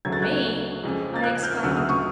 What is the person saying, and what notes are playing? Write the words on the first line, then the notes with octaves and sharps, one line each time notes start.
"Me!" I exclaimed.
D2 C#3 F#3 A3 G#6
A6
F#6 G#6
F2 C#3 F3 G#3
A6
F#6 G#6
F6 G6
F6
D2 C#3 F#3 E6 F#6
D#6 F6
C#6 D#6